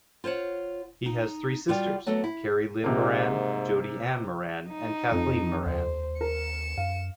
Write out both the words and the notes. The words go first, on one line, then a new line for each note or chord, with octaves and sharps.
He has three sisters, Kari Lynn Moran, Jodi Anne Moran and Kathleen Moran.
F4 C5 C#5 F#5
D#4
G3 F4 F#4
F#3 A3 B3 F#4 A4
E4
G#2 C3 A#3
D#4
F2 F3
D#2 C5
A#4 C#7 E7
F#2 F5